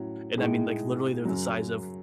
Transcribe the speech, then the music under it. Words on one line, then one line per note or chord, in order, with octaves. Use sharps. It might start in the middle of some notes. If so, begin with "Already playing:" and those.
and I mean, like, literally they're the size of
Already playing: A2 F#3 C#4
A2 G#3 D#4
F#2 C#3 F#3